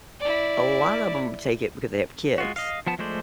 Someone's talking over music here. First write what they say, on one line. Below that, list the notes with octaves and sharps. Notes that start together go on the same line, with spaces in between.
A lot of 'em take it because they have kids,
E4 D5
G#3 F4 F#4
D#5 F5
F3 B3 A5
F3 G#3 A3 C5 D5